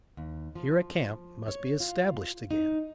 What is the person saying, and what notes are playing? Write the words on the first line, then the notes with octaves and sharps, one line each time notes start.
Here a camp must be established again.
D#2
F3
C#5
F4
D#4